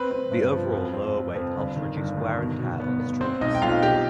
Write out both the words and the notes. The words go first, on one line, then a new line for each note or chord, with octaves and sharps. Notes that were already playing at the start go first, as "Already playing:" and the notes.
The overall lower weight helps reduce wear and tear on streets.
Already playing: C4 B4
C4
G2
F3
F2
C4
C4
F2
G1
D#3
G1
D#3
B2
B2
B3
B3
B3 C4 C5
B1 D#4 D#5
G5
B1 F4 F5
B1 G4 G5